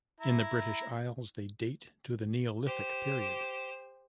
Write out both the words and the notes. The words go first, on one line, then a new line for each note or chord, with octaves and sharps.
In the British Isles they date to the Neolithic period.
E4 A#5
G4 C5